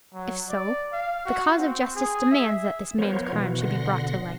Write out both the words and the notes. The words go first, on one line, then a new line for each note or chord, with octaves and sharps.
If so, the cause of justice demands that this man's crime should be brought to light.
F#3
D5
F5
F#4
C4
G#4
E5
F3 B3 A#4 C5 C#5
B2 E3 F3 F#4
B2 D3 F#5 C6 A#6